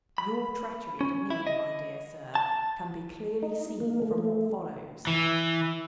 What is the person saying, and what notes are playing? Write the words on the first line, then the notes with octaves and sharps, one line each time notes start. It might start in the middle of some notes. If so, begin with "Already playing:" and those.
Your treachery to me, my dear sir, can be clearly seen from what follows.
B5
C#4
E4
D#5
A5
D#4
A#3
A3
A3
E3